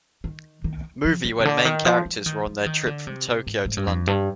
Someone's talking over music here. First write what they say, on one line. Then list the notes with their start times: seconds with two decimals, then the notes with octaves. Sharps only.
Movie when main characters were on their trip from Tokyo to London.
0.24 D#3
0.64 D#3
1.05 F3
1.25 F3
1.39 C3
1.45 D3
1.65 D#3
1.85 F3
2.06 F3
2.26 D#3
2.46 F3
2.66 D#3
2.87 D3
3.07 C3
3.47 G#2
3.66 G#2
3.77 G2
3.87 F2
4.07 G2